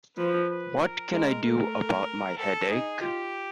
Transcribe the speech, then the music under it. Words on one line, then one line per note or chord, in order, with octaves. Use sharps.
What can I do about my headache?
F3 B4
B4
A#4
G#3 A#4
A3 A#4
A4
D#4 G#4
F4 G4